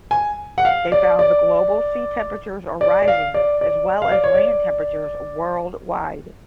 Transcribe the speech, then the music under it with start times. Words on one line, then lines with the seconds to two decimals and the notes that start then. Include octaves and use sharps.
They found the global sea temperatures are rising as well as land temperatures worldwide.
0.11 G#5
0.58 F#5
0.65 F5
0.92 D5
1.19 D5
2.81 D5
3.02 D5
3.08 F5
3.34 D5
3.61 D5
4.02 F5
4.12 D5
4.24 C#5
4.35 D5